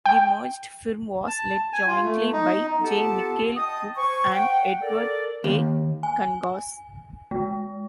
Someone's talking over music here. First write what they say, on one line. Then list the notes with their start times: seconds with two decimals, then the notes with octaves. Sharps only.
The merged firm was led jointly by J. Michael Cook and Edward A. Kangas.
0.06 G5
1.27 A5
1.73 G#5
1.87 F4
2.04 A3
2.33 D#4
2.81 B3 F4 G4 A4 F#5 A5
3.56 D#5 G5 A5 D#6
3.97 C5 G#5 C#6
4.32 F#5 G5
4.82 A4 A#4 D5
5.44 D#2
6.03 G#5
7.31 G#3